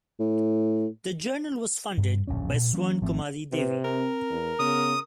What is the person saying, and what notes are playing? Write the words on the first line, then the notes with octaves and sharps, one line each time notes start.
The journal was funded by Swarnakumari Devi.
A2
G2
D1 A#1 F2 C#4
A#2
E3 F#3 A#3 C#4
G#1 F3 A3 C4
C3 B4
C4 A#4
E2
C#3 B3 D#6